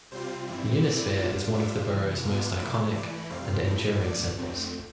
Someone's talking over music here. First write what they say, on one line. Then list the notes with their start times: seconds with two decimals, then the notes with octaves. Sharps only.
The Unisphere is one of the borough's most iconic and enduring symbols.
0.12 C3 G3 C4 F4 C5
0.47 G2 E3 G3 C4 E4
0.82 E3 A3 C4 E4 D5
1.18 D3 G3 D4 F4
1.53 A2 G3 D4 F4 E5
1.88 E2 C3 E3
2.24 B2 B3 D4 F4 F5
2.60 C3 F3 A3 E4 E5
2.94 E3 A3 E4 D5
3.30 F2 C3 G3 C4 F5
3.66 A2 F3 A3 E4
4.00 E2 D3 A3 D5
4.36 F2 D3 A3 C4